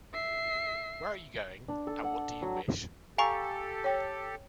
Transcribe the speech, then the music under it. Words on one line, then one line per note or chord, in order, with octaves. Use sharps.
Where are you going, and what do you wish?
E5 C7
D4
A4
F#5
F#3
G4 A4 F5 G#5 A#5 C#6
C#5 G5